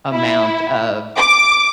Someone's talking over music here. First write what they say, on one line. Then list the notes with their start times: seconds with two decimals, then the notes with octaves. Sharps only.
amount of
0.12 E4
1.16 D6